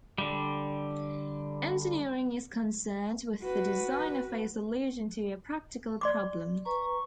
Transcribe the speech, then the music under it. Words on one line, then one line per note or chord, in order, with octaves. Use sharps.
Engineering is concerned with the design of a solution to a practical problem.
D3 G3
F#4 B4
D5 C6 D6
B4 A#5 C#6